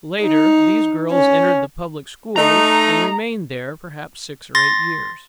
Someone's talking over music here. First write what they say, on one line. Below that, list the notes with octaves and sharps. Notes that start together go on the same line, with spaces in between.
Later, these girls entered the public schools and remained there perhaps six or eight years.
D#4
C#4
A3 D#4 A#5
C6 A6 A#6